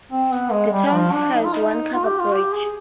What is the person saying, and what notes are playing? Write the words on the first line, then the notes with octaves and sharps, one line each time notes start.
The town has one covered bridge.
C4
B3
G#3
G#3
G3
G3
F3
D4
D#4
F4
D#4
F4
G4
F4
G4
G#4